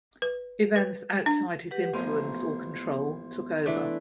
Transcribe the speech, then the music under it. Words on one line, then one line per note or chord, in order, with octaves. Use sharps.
Events outside his influence or control took over.
B4
B4
D4
G4 B4 F#5
A1 F3 A#3 B3 C6
E3 A3 D4 D5